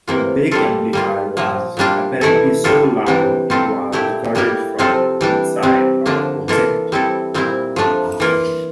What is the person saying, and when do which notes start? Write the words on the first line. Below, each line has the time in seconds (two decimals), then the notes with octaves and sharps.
Beck's amplifier was apparently so loud, it was recorded from inside a closet.
0.07 C3 E3 A#3 F4
0.51 G3 A#3 F4 A4
0.93 G3 A#3 F4
1.37 A#2 F3 A#3
1.77 A#2 G3 A#3 D4 F4
2.21 E3 A3 E4 A4
2.64 A2 G3 A#3 F4 A4
3.06 C3 E3 G3 D4
3.50 C3 G3 C4 F4 A4
3.92 A#2 A3 E4 G4
4.35 A2 G3 A#3 E4 G4
4.78 C3 F3 C4 F4 A4
5.21 E3 G3 D4
5.63 C3 G3 C4
6.06 D3 F3 A#3 D4
6.48 E3 A#3 F4 A4
6.92 G3 C4 E4 A4
7.34 A#2 G3 C4 E4
7.76 F3 A3 D4
8.20 E3 A#3 F4